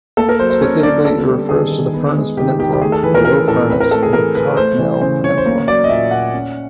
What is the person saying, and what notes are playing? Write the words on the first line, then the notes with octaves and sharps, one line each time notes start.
Specifically it refers to the Furness Peninsula, or Low Furness and the Cartmel Peninsula.
A#3 A4
A#4
F#3 C5
C5
C#4 C#5
D3 D5
B3 A4
G3
D#3 G#4
D#3
B3
G#3
D#3 G4
D#3 G4
G4
A3 G#4
A4
E3 B4
A#4
C#4 A#4
A2 A4
C4 B4
A#4
A3 A4
G#4
E3 A#4
E3 B4
A3 C5
E3
C#3 C5
C#3 C#5
C5
A#3 C#5
F#3 D5
D#5
A#2 E5
A#2 F#5
C#4